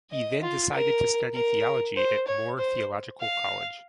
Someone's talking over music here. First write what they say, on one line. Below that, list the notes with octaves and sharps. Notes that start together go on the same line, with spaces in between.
He then decided to study theology at Moore Theological College.
D#5
F4
A#4
A#4
C5
C#5
C5
F5